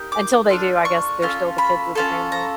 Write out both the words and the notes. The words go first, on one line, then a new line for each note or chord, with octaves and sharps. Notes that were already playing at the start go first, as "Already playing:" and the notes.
until they do, I guess they're still the kids of the family.
Already playing: A#3 D#4 G4
D6
D4 F4 A4
C#6
C#4 F4 A4
B5
C#4 F4 A4
A#5